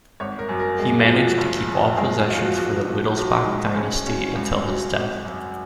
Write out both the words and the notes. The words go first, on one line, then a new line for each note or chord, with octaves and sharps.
He managed to keep all possessions for the Wittelsbach dynasty until his death.
G#1 C#5
A#4
F#2
A#4
G#3 G#4
F4
F3
F#4
F#1
F#2
G#3 G#4
G#4
F3 F4
F#4
B1 F#4
B2
B1 F#4
D#4
G#3
C#2 C#4
B2 C#4
C#2
F#3
G#1
F#2